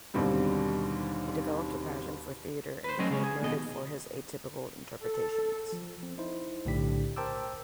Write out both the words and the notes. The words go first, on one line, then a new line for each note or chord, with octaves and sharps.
He developed a passion for theater and became noted for his atypical interpretations.
D#2 G#2 B2 D3 G3 C4
B4 C5
F#3 A3 C4 C#4 D#5
C#3 G#3 C4 C#4
G#4
D#2 B2 D#5
A4
F3
C4
D#4 E4 C5
B1 A2 D3 D4 G4 B6
A#4 C5 G5 A5 D6 E6